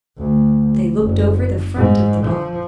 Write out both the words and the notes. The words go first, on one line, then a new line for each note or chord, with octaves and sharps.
They looked over the front of the box.
D2
F#1
G#2
F3